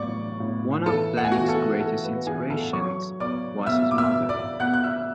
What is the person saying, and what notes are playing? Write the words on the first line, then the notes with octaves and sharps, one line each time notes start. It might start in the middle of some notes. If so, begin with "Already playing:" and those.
One of Blahnik's greatest inspirations was his mother.
Already playing: A2 F#3 D5 C#6 D6
A2
E3 A4 A5
F#5
G#5
E3 F#4 F#5
A4
E3 A4
B4
E3 G#4 G#5
A4 A5
F#3 C#5 C#6
B2 D5 D6
B2 E5 E6
D6
E5 E6
B2
D5 D6
B2 F#5 F#6
F#6
E5 E6